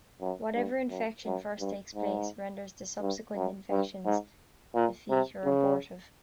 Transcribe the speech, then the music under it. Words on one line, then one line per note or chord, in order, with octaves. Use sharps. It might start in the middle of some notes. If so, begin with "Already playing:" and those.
Whatever infection first takes place, renders the subsequent infections effete or abortive.
F#2
G2
F#2
F#2
G2
G#2
G2
F#2
G2
G#2
A#2
C3
C#3